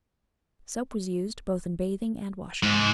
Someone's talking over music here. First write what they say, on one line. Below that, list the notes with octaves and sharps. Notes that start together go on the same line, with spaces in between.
Soap was used both in bathing and washing.
G#2